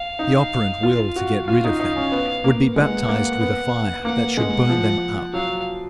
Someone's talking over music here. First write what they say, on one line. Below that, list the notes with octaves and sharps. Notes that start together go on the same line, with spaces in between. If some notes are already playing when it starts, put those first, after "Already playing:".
The operant will to get rid of them would be baptized with a fire that should burn them up.
Already playing: F5
D#4
F4
F#4
F4 F5
D#4
D#4
C#4
B3
A#3
G#3 F#5
A#3
B3
A#3 F#5
G#3
F3
F#3 F5